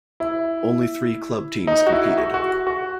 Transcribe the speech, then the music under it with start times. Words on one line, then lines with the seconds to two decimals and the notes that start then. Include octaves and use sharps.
Only three club teams competed.
0.20 E4
1.67 D#4
1.87 F#4
1.92 E4
2.18 F#4
2.34 F#4
2.67 F#4